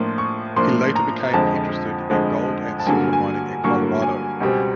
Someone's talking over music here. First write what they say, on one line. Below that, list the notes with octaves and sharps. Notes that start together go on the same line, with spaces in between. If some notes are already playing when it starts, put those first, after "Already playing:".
He later became interested in gold and silver mining in Colorado.
Already playing: A2 F3 A#3 D4 C6
C#6
A2 F3 A#3 D4 C6
A#5
F2 D3 F3 G#3 A5
F2 D3 F3 G#3
A5
G2 D3 F#3 A#3 G#5
G#5
G2 D3 F#3 A#3 C#6
G#5
C#2 B2 G3 C4